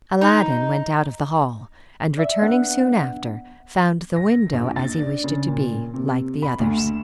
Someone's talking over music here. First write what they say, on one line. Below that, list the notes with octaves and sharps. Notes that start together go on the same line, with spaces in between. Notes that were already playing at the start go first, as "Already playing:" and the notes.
Aladdin went out of the hall, and returning soon after, found the window, as he wished it to be, like the others.
D#4
D5 E5
B3 D4 F#5
A#6
A#1
A6
D4
C#3
A#2
C3
B5
D2
E7